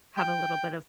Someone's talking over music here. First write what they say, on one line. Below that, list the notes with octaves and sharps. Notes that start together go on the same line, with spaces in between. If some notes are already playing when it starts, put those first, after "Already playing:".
Have a little bit of
G5